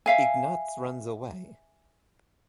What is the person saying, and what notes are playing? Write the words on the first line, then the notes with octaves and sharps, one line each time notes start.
Ignatz runs away.
E5 F5 G#5